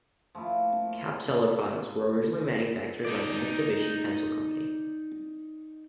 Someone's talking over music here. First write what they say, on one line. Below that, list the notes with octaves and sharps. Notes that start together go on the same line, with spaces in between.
Capsela products were originally manufactured by the Mitsubishi Pencil Company.
F3 A3 A#3 E4
D#4 D5